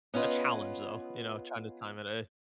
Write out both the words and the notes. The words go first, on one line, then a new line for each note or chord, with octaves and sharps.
a challenge, though, you know, trying to time it, eh.
B3 C#4 F4 B4 D#5